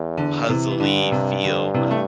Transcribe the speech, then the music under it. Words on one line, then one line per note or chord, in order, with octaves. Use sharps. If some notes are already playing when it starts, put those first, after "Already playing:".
puzzle-y feel but,
Already playing: E2
D3
C3 E3
E3
G2 D3
C3
D3
C3 E3
A3